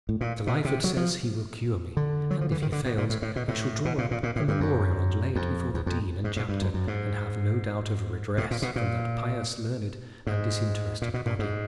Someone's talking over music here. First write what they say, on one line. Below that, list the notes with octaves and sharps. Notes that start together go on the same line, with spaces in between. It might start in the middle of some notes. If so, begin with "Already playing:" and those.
Mr. Lyford says he will cure me, and if he fails, I shall draw up a memorial and lay it before the Dean and Chapter, and have no doubt of redress from that pious, learned, and disinterested body.
A2
A#2
B2
C3
F#3
F3
D3
F#3
F3
E3
D#3
D3
B2
A#2
A2
A2
B2
A2
B2
A#2
A#2
A#2
A2
G2
F#2
F2
E2
F2
G#2
G#2
G2
F#2
F#2
G#2
A2
A#2
B2
A#2
G#2
A#2
B2
A#2
G#2